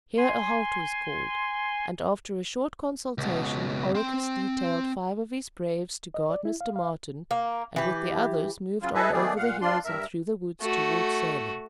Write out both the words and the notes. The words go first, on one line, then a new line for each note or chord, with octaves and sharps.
Here a halt was called, and, after a short consultation, Oracus detailed five of his braves to guard Mr. Martin, and with the others moved on over the hills and through the woods toward Salem.
G#5 C6
C#2 B2
C4 C6
D#5
D5
E4
F5
F5
A#3
E3 G4
C#3 F#3 F4
E4 G#4 A4 B4 D#5 E5
D#3 G3 A3 B3 G#4 D5
A#2 F5 F#5
G2 D4 F4 D5 C6
G2 A#4 E5
A3 F#4